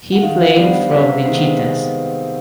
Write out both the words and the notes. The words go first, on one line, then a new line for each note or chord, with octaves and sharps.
He played for the Cheetahs.
F#5
D#3 F5
G3 B3 D4 C5
C3 B4
D#3 G#3 B3 C5